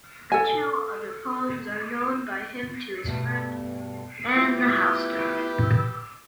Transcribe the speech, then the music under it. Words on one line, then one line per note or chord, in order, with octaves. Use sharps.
Two other poems are known by him, "To His Friend" and "The Housedove".
A4 G#5
G2 B2 A3
A3 B3 E4 F4 G4 B4